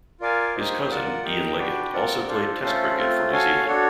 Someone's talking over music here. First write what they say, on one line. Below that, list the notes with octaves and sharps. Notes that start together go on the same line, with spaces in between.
His cousin Ian Leggat also played Test cricket for New Zealand.
F4 A#4 D5 F5 G#5
A#3 D#4 G4 C5 D#5
F4 A#4 D5 F#5
G4 A#4 D#5 G5
D4 F#4 B4 D5 G5
C4 F4 A#4 D5 F#5
D4 F4 A4 C5
A3 C#4 F4 A4 C5
A3 C4 F4
F#4 A4 C#5 F5 G#5
D4 F#4 A4 C#5